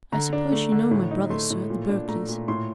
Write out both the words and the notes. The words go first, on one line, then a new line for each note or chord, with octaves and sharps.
"I suppose you know my brothers, sir, the Berkleys."
D3 A#5
D4
A3
D3
A2
D#4
A3 C6
A2
A#2
D4
A3 A#5
A#2
A2 C6